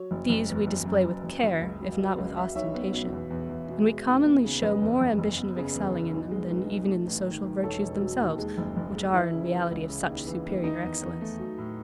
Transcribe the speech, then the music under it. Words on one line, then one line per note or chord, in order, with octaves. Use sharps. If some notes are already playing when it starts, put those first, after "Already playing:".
These we display with care, if not with ostentation; and we commonly show more ambition of excelling in them, than even in the social virtues themselves, which are, in reality, of such superior excellence.
Already playing: F#3 C#5
F#1
F#1
E2
F#1
F#2
F#2
F#1
F#1
C#2
F#3
F#3
C#2
F#3 E5
B1 C#5 E5
B3
B2
E2
E2
E2
B2
G#3
D#2
B3
C#3
F#1 B4 D#5
E2
F#1
F#1
B3
C#3
E2
B3
B1
G#3
B1
B1
A3
A1
D#3
D#3
E1 A4 C#5
E1
F#3
D#2
G#3
F#1
F#1
G#3
E3 E4
C#3
E3
C#2
C#3
D#2
E3
D#2
D#3 D#4
E2
E2
A3
F#3
A2